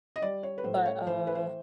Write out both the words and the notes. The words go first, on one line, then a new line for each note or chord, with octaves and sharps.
but, uh,
D#5
G3 D5
C#5
B4
A2 C5
C#5
E3 C5
B4
C5